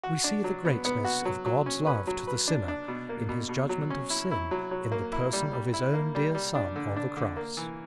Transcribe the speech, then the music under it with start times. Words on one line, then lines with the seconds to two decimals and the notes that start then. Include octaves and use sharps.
We see the greatness of God's love to the sinner in his judgment of sin in the person of his own dear Son on the cross.
0.03 F#4
0.24 D4
0.44 F#3
0.65 B3
0.85 B3
1.05 F#4
1.25 F#3
1.46 F#3
1.66 C#4
1.87 B4
2.07 F#3
2.27 B4
2.48 D4
2.68 D4
2.88 B2
3.09 A#3
3.29 B2
3.49 B2
3.69 F#3
3.90 C#4
4.10 E4
4.31 E4
4.51 F#3
4.71 F#3
4.92 A#3
5.12 E4
5.33 G3
5.53 G3
5.73 E4
5.94 A#3
6.15 G3
6.35 G3
6.55 D4
6.76 D3
6.96 D4
7.17 D3
7.36 A#3
7.57 E3